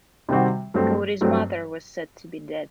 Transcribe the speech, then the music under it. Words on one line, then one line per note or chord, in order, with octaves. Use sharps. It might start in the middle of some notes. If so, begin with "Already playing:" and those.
Kodee's mother was said to be dead.
C3 D#3 G3 C4 F#4
G2 F#3 A3 C4
G2 F#3 A3 C4